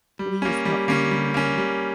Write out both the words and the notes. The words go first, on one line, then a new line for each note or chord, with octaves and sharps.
"Please help my mom,
G3
A#3 C#4
G3
A#3 C#4
G3
A#3 C#4
G3